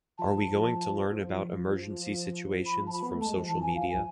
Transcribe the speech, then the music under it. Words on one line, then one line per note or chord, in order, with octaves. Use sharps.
Are we going to learn about emergency situations from social media?
F3 A5
B5
A5
B5
B3
A3
A5
G#3
F3
E3 A5
G#5
F3 F5
G#5